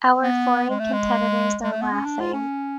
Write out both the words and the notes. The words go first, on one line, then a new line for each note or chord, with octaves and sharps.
Our foreign competitors are laughing.
B3
G#3
A3
G#3
G#3
A3
B3
C#4
D4
F4
C#4